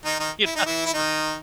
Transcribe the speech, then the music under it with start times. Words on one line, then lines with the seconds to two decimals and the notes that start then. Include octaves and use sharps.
you know, it's like
0.05 D#3 D#4
0.20 D#3 D#4
0.46 E4
0.56 D#4
0.66 E3 E4
0.86 E4
0.94 D#3 D#4